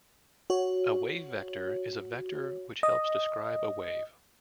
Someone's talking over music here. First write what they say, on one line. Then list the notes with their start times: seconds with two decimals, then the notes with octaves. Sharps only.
A wavevector is a vector which helps describe a wave.
0.50 F#4 C#5
2.83 D#5